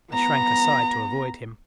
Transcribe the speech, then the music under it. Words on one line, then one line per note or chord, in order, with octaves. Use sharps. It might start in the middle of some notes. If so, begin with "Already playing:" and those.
I shrank aside to avoid him.
B3 A#5